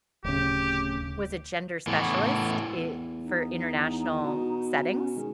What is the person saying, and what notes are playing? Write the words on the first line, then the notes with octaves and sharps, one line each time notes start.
was a gender specialist i for international settings.
D1 C#3 G4
A2 E3 B3
E2
D#4
B2
C#4
D#3 G#3